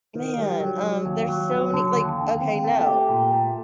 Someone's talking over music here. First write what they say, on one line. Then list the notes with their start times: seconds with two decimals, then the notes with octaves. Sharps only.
man, um, there's so many, like okay, no.
0.15 D#3
0.38 G3
0.61 F#3
0.83 F#3
1.06 D#2
1.29 F#3
1.51 F#3
1.74 D3
1.96 D#2
2.19 D#2
2.42 C4
2.64 A3
2.86 G4
3.09 A#2
3.31 A3